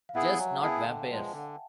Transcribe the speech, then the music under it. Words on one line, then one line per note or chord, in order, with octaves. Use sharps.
Just not vampires.
F5
B3 E4 G#4 E5 F#5
F#3 F#5 G#5
B3 E4 G#4 G5 A5
D3
F3 G#3
D3